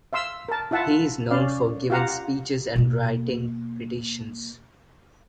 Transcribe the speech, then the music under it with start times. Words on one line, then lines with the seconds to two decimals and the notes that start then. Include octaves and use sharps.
He is known for giving speeches and writing petitions.
0.13 E5 F5 C6 E6
0.49 A#4 A5
0.71 E4 F4 E5 F#5 A5
1.31 C#4 D5 F5
1.90 F4 G4 F5 F#5 A#5
2.76 B2 A#3